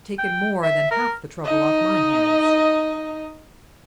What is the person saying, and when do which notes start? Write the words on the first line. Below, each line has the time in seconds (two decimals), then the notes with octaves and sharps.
Taken more than half the trouble off my hands.'
0.19 G5
0.63 E5
0.91 A#4
1.44 D#4 D#5